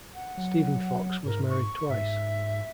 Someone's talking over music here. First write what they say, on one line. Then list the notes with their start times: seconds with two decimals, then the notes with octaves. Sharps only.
Stephen Fox was married twice.
0.15 F#5
0.37 F#3
1.25 G#2 A#4
1.50 C#6
1.89 G#2 E5